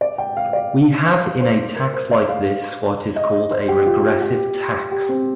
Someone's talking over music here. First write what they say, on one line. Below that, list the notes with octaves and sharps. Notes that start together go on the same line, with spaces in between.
We have in a tax like this what is called a regressive tax.
D5
G5
F5
D5
F5
C5
A#4
C5
D5
F5
D#5
C5
G4
F4
G4
G4
C4